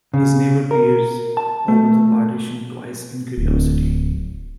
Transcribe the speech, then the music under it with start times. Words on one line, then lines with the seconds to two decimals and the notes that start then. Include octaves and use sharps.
His neighbor peers over the partition twice in curiosity.
0.14 C#3
0.71 A#4
1.37 A5
1.68 A3
3.38 D1